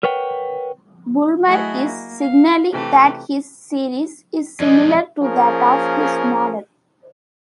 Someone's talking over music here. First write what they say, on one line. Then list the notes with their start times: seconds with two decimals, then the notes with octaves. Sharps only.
Bulmer is signalling that his series is similar to that of his model.
0.03 A#4 B4 C#5 F#5 G5
1.45 F#3 A3 E4 F#4 G#4 D#5
1.84 A#3
2.18 F5
2.71 C3 E3 A3 G4
4.60 F2 G#3 D5 D#5
5.23 F3 A#3 C#4 G#4 A#4